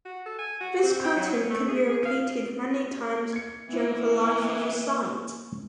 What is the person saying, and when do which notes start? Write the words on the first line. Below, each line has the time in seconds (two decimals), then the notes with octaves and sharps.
This pattern could be repeated many times during the life of a site.
0.05 F#4
0.26 A4
0.39 G#5
0.61 F#4
0.83 C4
1.04 G5
1.17 F#3
1.33 C#4
1.50 A3
1.68 G#4
1.89 G#4
2.05 F5
3.33 G#6 C#7
3.69 E3 B3 E4
4.42 A#3